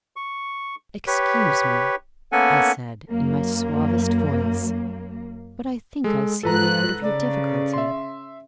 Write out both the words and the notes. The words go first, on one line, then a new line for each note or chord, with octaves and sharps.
'Excuse me,' I said, in my suavest voice, 'but I think I see a way out of your difficulty.'
C#6
G4 B4 C#5
A#3 B3 C#4 A4 F#5 G#5
F#2 A#3
G#3 A4
G#2 F4 A4 B4 A#5 F#6
C#3 D5
E5 C6